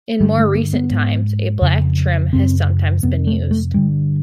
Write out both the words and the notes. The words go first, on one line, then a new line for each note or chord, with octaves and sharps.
In more recent times a black trim has sometimes been used.
G2 D3 G3
A3
A#3
B3
G#2
F2 C#3
F#2 C#3 C4
F2 C3 B3
A3
A3
G2 D3 G3